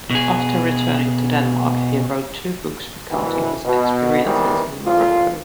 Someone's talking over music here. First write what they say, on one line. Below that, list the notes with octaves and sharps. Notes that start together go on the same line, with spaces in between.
After returning to Denmark, he wrote two books recounting his experiences in Morocco.
B2 G#4
C2 G2 B2 E3
B2
D#3 E3 G3 G#3 B3 C4
C2 F2 A#2 F4